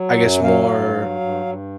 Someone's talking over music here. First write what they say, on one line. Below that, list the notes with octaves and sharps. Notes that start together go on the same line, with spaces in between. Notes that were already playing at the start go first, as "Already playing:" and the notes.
I guess, more
Already playing: F#3
F#2
F#3 F5
G2
F#3
G2
G2